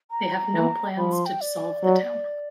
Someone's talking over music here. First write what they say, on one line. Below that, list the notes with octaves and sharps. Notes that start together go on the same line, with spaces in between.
They have no plans to dissolve the town.
A#5
E3
F3 B5
C6
G5
D5
F#3